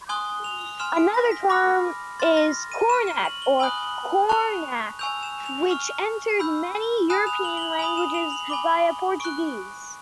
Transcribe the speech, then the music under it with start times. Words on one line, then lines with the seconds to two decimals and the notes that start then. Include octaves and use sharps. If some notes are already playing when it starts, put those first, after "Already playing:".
Another term is "cornac" or "kornak", which entered many European languages via Portuguese.
0.09 G#5 C6 D#6 F#6 G7
0.44 F7
0.79 G#5 C6 F6 E7
0.97 D7
1.14 A#6
1.31 B6
1.49 B5 D6 F6 A#6
2.20 C6 F6 A6
2.37 A#6
2.72 D#7
2.90 C#6 F6 E7
3.07 E7
3.25 F#7
3.42 G7
3.59 G#5 B5 D#6 F#6 F#7
4.29 A5 C#6 F#6 F7
4.99 G#5 C#6 E6 G6 F7
5.23 E7
5.46 F7
5.70 C#6 F6
6.40 B5 E6 G6
7.10 G#5 B5 D#6 F#6 E7
7.27 F7
7.45 F#7
7.57 G7
7.62 F#7
7.79 G#5 B5 D#6 F7
7.97 E7
8.14 F7
8.32 F#7
8.50 G#5 B5 D6 G7
9.20 C#6 F#6 D7